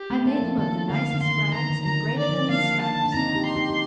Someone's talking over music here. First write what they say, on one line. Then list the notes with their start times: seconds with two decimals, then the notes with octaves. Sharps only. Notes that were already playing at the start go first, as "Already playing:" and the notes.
I made them of the nicest rags, and braided them in stripes.
Already playing: G4
0.10 A3 C4
0.25 A#3 D4 A4
0.42 F3
0.58 D#3 A4
0.90 D3 F5
1.13 D3
1.21 D#3 C6
1.38 D3
1.53 D#3 A#5
1.70 D#3
1.85 D3 A#5
2.07 D#3
2.18 D5
2.29 F3
2.50 A#3 D4 F5
2.81 A5
3.05 D4
3.14 C4 D#4 A#5
3.34 D#4 G4
3.45 C6
3.56 D#4 G4
3.70 G4